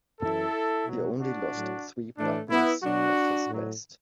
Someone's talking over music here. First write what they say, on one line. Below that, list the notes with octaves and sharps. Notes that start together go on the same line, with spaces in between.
He only lost three buttons off his vest.
F#2 E3 E4 A4
B2 F#3
D4 F#4
A2 F#3
A2 E3 A3 D4
B3 E4
B2 F#3 D4 F#4
A2 F#3